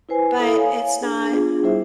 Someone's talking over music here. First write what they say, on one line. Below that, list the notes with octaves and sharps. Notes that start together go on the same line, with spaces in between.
but it's not
E4 B4 C5 G#5
E4 A4 E5 B5 D#6
C#5 F5 G#5
D4 G#4
B3 D4 F4 G#4
G3 E4 G#4 C5 E5